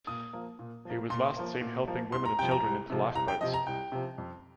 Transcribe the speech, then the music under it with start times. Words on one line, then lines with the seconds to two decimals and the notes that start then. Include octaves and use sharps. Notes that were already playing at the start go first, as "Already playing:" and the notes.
He was last seen helping women and children into lifeboats.
0.07 A#2 D#6
0.33 F3 A#3
0.59 A#2
0.85 F3 A#3
1.10 A#2 C6
1.36 F3 A#3
1.61 A#2
1.87 F3 A#3
2.12 C2 C6
2.25 A#5
2.39 C3 F3 G5
2.51 A#5
2.64 C2
2.90 C3 F3
3.15 C2 A#5
3.28 G5
3.41 C3 F3 D#5
3.54 A#5
3.67 C2 G5
3.92 C3 F3
4.18 F2